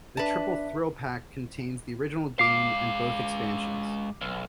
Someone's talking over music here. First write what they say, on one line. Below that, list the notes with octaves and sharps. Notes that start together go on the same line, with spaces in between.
The "Triple Thrill Pack" contains the original game and both expansions.
D4 B4 E5 A5
G#3 F5 D6 C7
B1